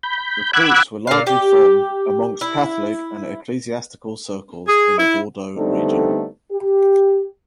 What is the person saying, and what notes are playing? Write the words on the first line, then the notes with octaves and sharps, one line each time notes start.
Recruits were largely from amongst Catholic and ecclesiastical circles in the Bordeaux region.
B5 G6
F#5 B5 D6 E6 F#6 G#6
A#2 F5
G4
E4
G#4
E4
D3 G3 A3 B3 C4 D#4
G4